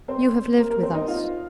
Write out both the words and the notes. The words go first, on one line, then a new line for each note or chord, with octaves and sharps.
You have lived with us.
C4 C5
A#3 A#4
A#3 A#4
C4 C5
D#4 D#5
F4 F5